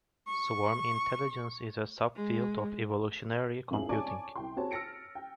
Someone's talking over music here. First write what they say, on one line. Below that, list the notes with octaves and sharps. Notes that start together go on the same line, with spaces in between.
Swarm intelligence is a sub-field of evolutionary computing.
C#6
G#3
G#1 F2 C#4 E4 G#4 F#7
C#5 D5 G#5 A5 C#6 D6
C2 G5 C6
C4 F#4 G#4 C#5 A5
E6 F6 A6 A#6 C#7 D7
G5